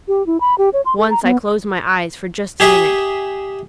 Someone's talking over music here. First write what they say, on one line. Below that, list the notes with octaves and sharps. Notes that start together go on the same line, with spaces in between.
Once I closed my eyes for just a minute.
G4
E4
B5
G4
C#5
C6
A4
A#5
B3
G4 G#4 E5